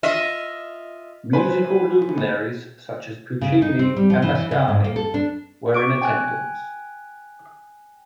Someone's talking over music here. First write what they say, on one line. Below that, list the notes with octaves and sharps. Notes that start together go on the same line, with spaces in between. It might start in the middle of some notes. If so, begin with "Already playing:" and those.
Musical luminaries such as Puccini and Mascagni were in attendance.
F4 D#5 E5
B4 C5 G#5 B5
C#3
D#4
C4
G3
F3
E3
E3
C#3
G#2
A#3
A4
D4
C#6 D6 D7
G5 G#5 F#6